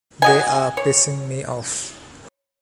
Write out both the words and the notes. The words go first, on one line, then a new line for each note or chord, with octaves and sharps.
They are pissing me off.
F#4 D#5 G#5
C#5